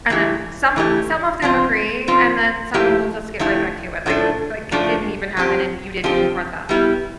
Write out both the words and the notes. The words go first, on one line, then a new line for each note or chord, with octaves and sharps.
And then some of some of them agree, and then someone will just get right back to it, like like it didn't even happen and you didn't confront them.
E3 A3 E4 G4
E3 A3 E4 G4
F3 C4 F4
F3 C4 F4
F3 A3 E4 G4
F3 A3 E4 G4
A2 F3 A3 D4 A4
A2 F3 A3 D4 A4
F3 C4 G4
F3 C4 G4
G3 B3 E4 G4